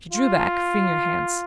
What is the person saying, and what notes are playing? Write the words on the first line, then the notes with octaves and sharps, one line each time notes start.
She drew back, freeing her hands.
F4